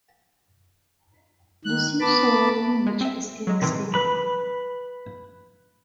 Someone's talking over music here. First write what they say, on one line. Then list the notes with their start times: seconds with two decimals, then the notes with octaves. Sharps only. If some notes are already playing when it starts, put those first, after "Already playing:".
The Siuslaw language is extinct.
1.65 D#3 F#6
2.00 B3 A5 B5 D6
2.87 G#3
3.01 C4 E5
3.47 F#3 G#3
3.62 A2 C3 D#3 E3 G#3 C4
3.94 B4 B5